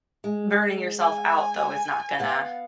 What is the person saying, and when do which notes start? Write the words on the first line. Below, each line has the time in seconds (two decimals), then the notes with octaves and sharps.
burning yourself out though is not gonna
0.24 G#3
1.00 G#5
2.19 B3 F5 F#5